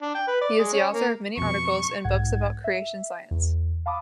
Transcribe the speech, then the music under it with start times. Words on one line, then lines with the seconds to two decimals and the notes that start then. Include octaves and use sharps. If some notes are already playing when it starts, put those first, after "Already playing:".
He is the author of many articles and books about creation science.
0.02 D4
0.15 G5
0.28 B4
0.41 D5
0.59 G#3
0.73 C#4
0.93 A#3
1.38 F2 B2 C#6
2.04 B1 G#2 F#5 G#6
2.64 E5
3.31 E2
3.86 F5 A5 B5 D6 D#6